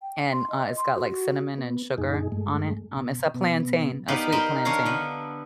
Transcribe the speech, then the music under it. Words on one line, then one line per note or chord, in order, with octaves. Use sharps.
and, uh, it's got, like, cinnamon and sugar on it, um it's a plantain, a sweet plantain.
G5
C6
D#5
C6
F#4
F#4
B3
F#2 A#2 D#4 G#4
G2 G#3 A3
B2
B2 B3
B3 D#4 G4 D5 F5 F#5
D#4 A#4 C5 B5 C6
D#3 D4 A#4 C#5 F5 A#5
D3 B3